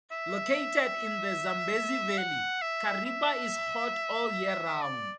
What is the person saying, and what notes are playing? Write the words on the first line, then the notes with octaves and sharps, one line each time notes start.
Located in the Zambezi Valley, Kariba is hot all year round.
E5
F#5
E5
E5
D5